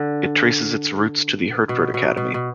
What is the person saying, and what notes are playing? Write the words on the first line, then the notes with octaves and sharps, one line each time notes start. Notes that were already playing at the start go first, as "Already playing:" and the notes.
It traces its roots to the Hertford Academy.
Already playing: D3
B2
B2
B2
B2